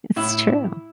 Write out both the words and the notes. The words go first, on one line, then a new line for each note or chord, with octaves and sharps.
it's true.
A2 E4